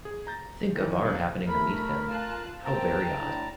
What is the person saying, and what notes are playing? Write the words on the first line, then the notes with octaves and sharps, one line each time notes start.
Think of our happening to meet him! — How very odd!
G#4
A#5 G6 A6
D#3 E3
B1 G2
A3 A#4 B5
F4 A5 F#6
B1 A#3 C4 G5 A5 A#5
A2 D3